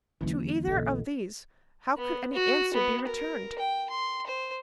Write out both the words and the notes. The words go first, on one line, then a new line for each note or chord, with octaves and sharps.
To either of these how could any answer be returned?
E2 D3 E3 F#3 A#3 C#4 D#4
A#1 F4 A4 D#5
B3
F#4
B3
A#4
G5
C6
C5